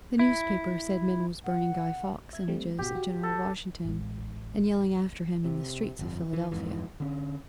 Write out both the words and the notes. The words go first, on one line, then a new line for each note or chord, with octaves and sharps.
The newspaper said men was burning Guy Fawkes images of General Washington and yelling after him in the streets of Philadelphia.
E4
F#5
E5 G#6
G3 A3 C4
G#1 B2 F#4 G4
F#4
A4
A1 G#3
C3
G1 F2
E3
F2 G#2 E3
D3 C#4